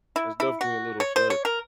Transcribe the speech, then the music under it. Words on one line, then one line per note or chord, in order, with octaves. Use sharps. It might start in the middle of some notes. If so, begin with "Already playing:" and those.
That's definitely a little sad.
E4
E4
F#4
C#5
C5
C#5
A#4